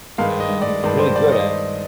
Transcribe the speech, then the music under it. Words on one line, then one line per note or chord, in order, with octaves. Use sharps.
and he was really good at
G2 D#3 G#3 F5
D#5
D5
G2 D#3 G#3 D5
C5
D5
D#5